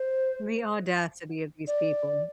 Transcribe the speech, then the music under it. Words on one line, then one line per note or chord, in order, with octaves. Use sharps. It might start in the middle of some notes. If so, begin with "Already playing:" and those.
The audacity of these people.
Already playing: C5
D5